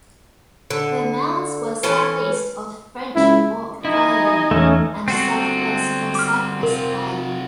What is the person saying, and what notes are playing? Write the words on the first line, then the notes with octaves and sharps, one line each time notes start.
The mounds were southeast of French Fork Bayou and southwest of Cypress Bayou.
D3
E3 C#4 A4 B4
C#2 E4
D#4 E4 D#5 G#5
E2 A3 C#4
G3 C4 F#4 A4 C7
D6 F6
C3 F4 A#4